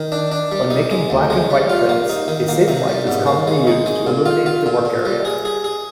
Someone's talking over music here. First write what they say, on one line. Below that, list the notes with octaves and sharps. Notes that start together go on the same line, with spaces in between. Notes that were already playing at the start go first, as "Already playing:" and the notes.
When making black-and-white prints, a safelight is commonly used to illuminate the work area.
Already playing: D#3
D4
D4
G3
D#4
G#3
D2
G#3
G3
F4
A#3
D#4
D#3
A#3
C3
G3
G#2
A#3
G#3
D#4
G#3
A#2
F4
F4
A#2
A#2
G3
G#4
G#4
G#4